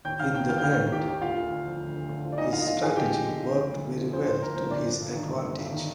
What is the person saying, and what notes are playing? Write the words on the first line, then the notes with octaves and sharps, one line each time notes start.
In the end, his strategy worked very well to his advantage.
D#2 G5 G6
D#3 F5 F6
D#3 G5 G6
D#2 F5 F6
G6
D#2 F5 F6
D#3
D#3 G4 G5
D#2
D2 F4 F5
D2
D3
F3
D2
D2
D3
F3
D5
D2 D#4 D#5
D2 F4 F5
D#5
D3 F4 F5
F3 G#4 G#5
D2 G4 G5
D2
D3
F3
D2
D2
D3
F3
D2 C5
D2 C5
D3 A#4
F3 C5
G1 D4 D5
G1
G2
D#3
G1
G1
G2
D#3